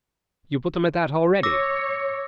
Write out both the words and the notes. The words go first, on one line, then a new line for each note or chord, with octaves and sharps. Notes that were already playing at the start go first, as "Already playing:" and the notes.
You put them at that already?...
C#5 D6 E6 A#6